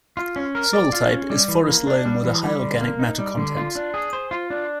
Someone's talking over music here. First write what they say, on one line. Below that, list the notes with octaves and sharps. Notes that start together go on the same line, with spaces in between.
Soil type is forest loam with a high organic matter content.
F4
C#4
A#4
D5
F4
C#4
G3
E3
A#3
D4
G3
E3
G3
D3
A#3
D#4
G3
D3
F4
D4
G#4
C5
F4
D4